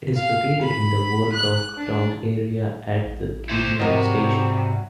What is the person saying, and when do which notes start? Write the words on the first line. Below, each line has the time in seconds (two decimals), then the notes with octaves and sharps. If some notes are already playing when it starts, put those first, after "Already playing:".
It is located in the Wolgok-dong area at Gireum Station.
0.16 F5
0.63 B5
1.33 F#6
1.77 D4
3.05 A1
3.49 E4 C5
3.80 F2 G#2 C3 F#3 G3 F#4 A#4 D#5